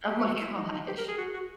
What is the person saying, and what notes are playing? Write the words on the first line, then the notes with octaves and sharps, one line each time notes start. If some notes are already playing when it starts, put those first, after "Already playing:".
Oh my gosh.
G4
F#4
E4
D#4
D#4
G4
A#4
G#4
F#4
F#4